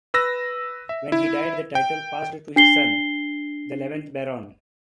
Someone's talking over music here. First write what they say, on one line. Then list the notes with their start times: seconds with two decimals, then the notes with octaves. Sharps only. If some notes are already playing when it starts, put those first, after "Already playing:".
When he died the title passed to his son, the eleventh Baron.
0.14 B4 E6 A#6
0.89 E5
1.12 E4
1.75 G5
2.56 D4 C7 G7